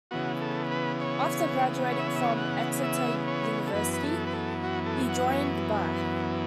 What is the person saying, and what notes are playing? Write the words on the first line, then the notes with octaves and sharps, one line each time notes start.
After graduating from Exeter University he joined Bath.
C#3 E3 B3 F#4
A4
B4
C#5
C#5
E5
C#5
E5
C#5
F#5
E5
C#5
A4
F#2 E3 B3 B4
B4
A4
B4
A4
F#4
A4
F#5
C#5